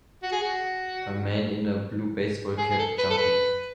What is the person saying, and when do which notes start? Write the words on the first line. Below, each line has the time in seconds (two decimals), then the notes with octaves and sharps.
A man in a blue baseball cap jumping.
0.23 F#4
0.32 G#4
0.42 F#4
2.58 G#4
2.71 G#4
2.79 A4
2.99 B4
3.10 A4
3.17 B4